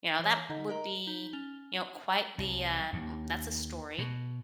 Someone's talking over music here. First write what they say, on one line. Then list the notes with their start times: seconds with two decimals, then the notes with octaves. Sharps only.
You know, that would be, you know, quite the, uh, m "That's a story.
0.19 E3 C#5
0.49 D3 D#4 D#5
0.69 A#4 D#5 A#5
1.07 D#4
1.33 C#4 F7 G7
2.38 C2
2.93 D#2
3.98 B2